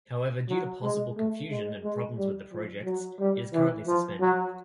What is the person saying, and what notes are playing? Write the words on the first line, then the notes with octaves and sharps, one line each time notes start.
However, due to possible confusion and problems with the projects, it is currently suspended.
F#3
G#3
A3
G#3
G#3
G3
F3
F#3
G3
E3
F3
F#3